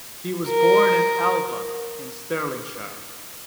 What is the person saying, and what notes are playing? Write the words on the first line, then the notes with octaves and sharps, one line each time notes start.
He was born at Alva, in Stirlingshire.
A#4